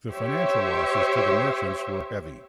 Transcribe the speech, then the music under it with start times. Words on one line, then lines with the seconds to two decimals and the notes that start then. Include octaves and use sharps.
The financial losses to the merchants were heavy.
0.12 G4 C5 C#5 E5